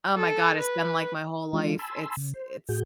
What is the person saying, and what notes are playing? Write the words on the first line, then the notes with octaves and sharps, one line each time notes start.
Oh my god, it's been, like, my whole life, it's it's
A4
B4
E3 G#3 D4 F4
G#5 A5 B5 C6 E6
C#3
C5
A2 F#4 G#4 G6